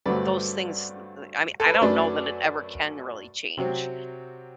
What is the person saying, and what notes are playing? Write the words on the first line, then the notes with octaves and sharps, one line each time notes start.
those things, th th I mean, I don't know that it ever can really change,
G2 D3 F#3 A3 C4 B4 D5
A4
B4
C5
F#2 F#3 A3 D4 B4 D5
C3 F#3 C4